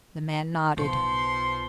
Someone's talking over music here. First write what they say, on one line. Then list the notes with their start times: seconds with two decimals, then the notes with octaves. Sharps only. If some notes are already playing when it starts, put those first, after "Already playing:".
The man nodded.
0.77 B1 F3 B3 C6